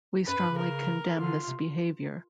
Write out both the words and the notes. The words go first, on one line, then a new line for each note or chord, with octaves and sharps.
We strongly condemn this behaviour.
F#2 B4
G2
C#3
A#4
D3 F4
C3